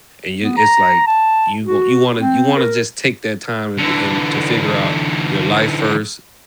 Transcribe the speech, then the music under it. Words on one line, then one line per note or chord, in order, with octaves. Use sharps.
And y it's like, you gonna you wanna you wanna just take that time to be and to figure out your life first,
B3
A#5
A5
F#4
C4
A#4
D3 E3